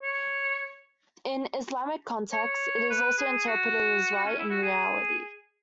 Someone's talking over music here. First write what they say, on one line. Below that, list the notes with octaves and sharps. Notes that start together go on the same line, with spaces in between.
In Islamic contexts, it is also interpreted as right and reality.
C#5
C#5
B4
G#4
F#4
C#4
E4
F#4
G#4